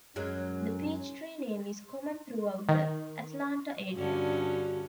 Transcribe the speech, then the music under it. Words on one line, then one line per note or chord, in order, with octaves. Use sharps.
The Peachtree name is common throughout the Atlanta area.
F#2 F#3 G#3 C#4
D#3
G2 D3 C#4 F#4